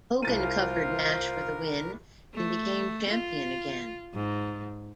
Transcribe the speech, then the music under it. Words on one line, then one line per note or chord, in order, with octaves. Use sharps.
Hogan covered Nash for the win and became champion again.
C2 F4 A#4 C5 A6 D#7
A3
F4
G#2